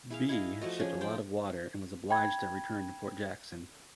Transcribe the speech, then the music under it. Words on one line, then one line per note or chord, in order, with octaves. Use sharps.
"Bee" shipped a lot of water and was obliged to return to Port Jackson.
E4 G#4 F5
E4 G#4 D#5 F5
F3 A3 F#4 D#5
F3 C#4 D4 G#4
C5 D5 G5
G5 B5 G#6